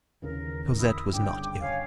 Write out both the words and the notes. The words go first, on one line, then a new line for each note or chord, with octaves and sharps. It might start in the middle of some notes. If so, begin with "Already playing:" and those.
Cosette was not ill.
D#2 C#3 E3 A#4
E4 D#6
G1 C#3 D4 G5 D6
C#5 F5 G#5